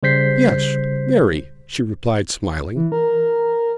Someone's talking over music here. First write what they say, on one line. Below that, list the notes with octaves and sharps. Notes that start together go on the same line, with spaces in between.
"Yes--very," she replied, smiling.
C#3 G3 C5 G6 B6 C7
E3
A#4